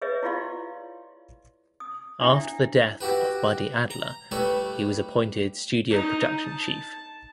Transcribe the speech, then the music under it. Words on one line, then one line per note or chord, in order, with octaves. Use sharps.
After the death of Buddy Adler he was appointed studio production chief.
G#4 B4 C#5 D#5 E5
E4 F4 G4 D5 F5 C6
D#6
D4 E4 E5 G5
E4 F#4 G4 B4
A#5
G3 A3 E4 B4 C#5
D#4
A5